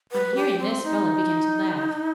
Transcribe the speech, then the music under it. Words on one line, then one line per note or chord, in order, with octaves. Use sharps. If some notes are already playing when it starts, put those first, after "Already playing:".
On hearing this Bellah began to laugh.
B4
G4
C4
D#4